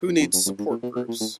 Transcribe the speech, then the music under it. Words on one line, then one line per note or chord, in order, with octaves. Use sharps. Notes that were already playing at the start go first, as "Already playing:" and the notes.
Who needs support groups?
F2
F2
F#2
G2
G#2
A#2
B2
B2
A#2
A2